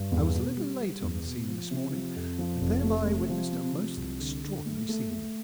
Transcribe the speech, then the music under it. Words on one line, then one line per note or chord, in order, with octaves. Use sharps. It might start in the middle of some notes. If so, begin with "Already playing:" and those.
I was a little late on the scene this morning, and thereby witnessed a most extraordinary scene.
Already playing: G2
E2
B2
G3
G3
E2
B2
F3
C3
F3
F2
F3
F1
A3
C3
F3
C3
F3
C2
D3
D3
A3
A3
A3